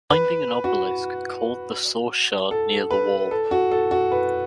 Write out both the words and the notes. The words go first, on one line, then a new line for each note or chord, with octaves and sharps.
Finding an obelisk called The Source Shard near the wall.
B4
F#4
A4
B4
A4
F#4
A4
F#4
B4